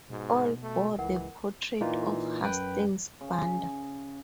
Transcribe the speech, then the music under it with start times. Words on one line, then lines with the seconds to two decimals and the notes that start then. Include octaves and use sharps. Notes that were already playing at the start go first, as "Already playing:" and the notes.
All bore the portrait of Hastings Banda.
0.10 G#2 B2
0.62 A3
0.98 C#2 E3 A#4 F#5
1.80 A#2 E3 A#3 D#4 F4
2.43 F#2 B4 G5
3.21 C#3